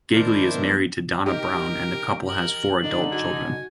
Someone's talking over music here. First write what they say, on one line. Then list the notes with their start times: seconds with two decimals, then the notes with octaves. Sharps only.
Galey is married to Donna Brown and the couple has four adult children.
0.13 D#3 D4 E4 A#4 C5
0.54 F#3 B3
1.26 D#4 G4 A#4 D7
2.28 A#4 F#7
2.82 F#2 D3 D4 D#4
3.12 F#4 G#5